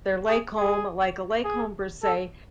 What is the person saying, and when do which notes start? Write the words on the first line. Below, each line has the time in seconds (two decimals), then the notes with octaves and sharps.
their lake home like a lake home per se,
0.28 G#4
0.57 G#4
1.44 G#4
2.03 A4